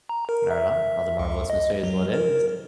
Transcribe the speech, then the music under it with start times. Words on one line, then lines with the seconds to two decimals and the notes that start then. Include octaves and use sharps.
Right on. Oh, the Marvelous Miss Maisel it is.
0.09 A#5
0.29 A#4
0.50 E5
1.19 C#2
1.50 D#5
1.84 F#3
2.13 A#4